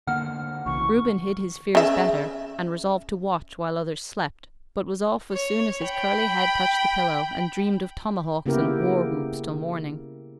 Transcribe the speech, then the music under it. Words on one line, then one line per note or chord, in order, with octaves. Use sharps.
Reuben hid his fears better, and resolved to watch while others slept; but was off as soon as his curly head touched the pillow, and dreamed of tomahawks and war-whoops till morning.
D3 A#3 F#5 F6
B1 C#3 E3 C#6
C#3 E5
C#5
G5 B5
C#3 A#3 B3 E4 G4 A#4